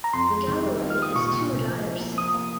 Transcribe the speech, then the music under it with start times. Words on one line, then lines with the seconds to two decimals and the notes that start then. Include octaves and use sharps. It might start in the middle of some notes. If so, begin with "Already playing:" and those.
Galloway has two daughters.
0.04 A#5
0.13 F2 C6
0.31 G#3
0.48 D#3
0.64 G3
0.81 F4
0.90 F6
0.98 G3 D#6
1.15 A#2 C#6
1.33 A#2
1.50 C2
1.66 F3
1.84 F3
2.00 A#3
2.17 F3 D#6
2.34 A#3